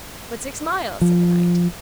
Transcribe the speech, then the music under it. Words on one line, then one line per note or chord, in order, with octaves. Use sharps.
But six mile, said the knight.
F3